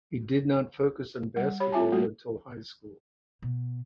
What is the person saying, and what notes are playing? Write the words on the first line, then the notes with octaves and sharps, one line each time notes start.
He did not focus on basketball until high school.
G3 F#5
G4 C#5 B5
C4 F4 E5 G#5 A5
G3 A3 A#3 F#4
B2